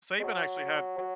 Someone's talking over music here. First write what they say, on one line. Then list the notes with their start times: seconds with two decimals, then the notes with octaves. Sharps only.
Saban actually had
0.20 G#3
0.23 F#3
0.98 F#3